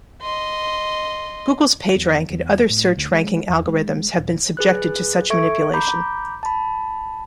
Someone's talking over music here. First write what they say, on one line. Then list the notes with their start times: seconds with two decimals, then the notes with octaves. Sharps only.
Google's PageRank and other search ranking algorithms have been subjected to such manipulation.
0.22 D#5 C6
1.96 E2
2.30 E2
2.70 A2
2.97 D2
3.12 G#3
3.49 E2
3.66 G#3
4.18 D#1
4.57 G#4 B4 F#6
5.30 A4 E5 C#6 G#6 D7
5.74 A#5 B5 D6 G6
6.43 A5 B5